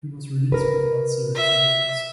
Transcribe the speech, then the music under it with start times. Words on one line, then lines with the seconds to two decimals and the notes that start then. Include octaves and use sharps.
He was released without serious injuries.
0.52 A#4 B4
1.36 E5